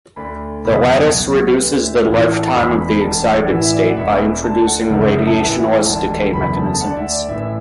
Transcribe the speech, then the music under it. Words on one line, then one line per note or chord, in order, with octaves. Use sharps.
The lattice reduces the lifetime of the excited state by introducing radiationless decay mechanisms.
D2 D3 B5
F#1 E2 B2 B5
A5
B1 B2 F#5
D2 D3 B4
E5
A1 A2 E3 F#5
A5
E1 E2 D3 B5
B5
E1 D2 D3 A5
F#5
D5
A1 A2 E3 E5
E5
D5
F#5
E1 E2 B2 E5
D2 D3 A5
F#5
F#1 F#2 D3 E5
E5
A5
A1 A2 E3 F#5
E1 D2 D3 A5
F#1 E2 D3 B5
A5
A5
D2 D3 F#5
D5
E5
D5
A1 A2 E3 E5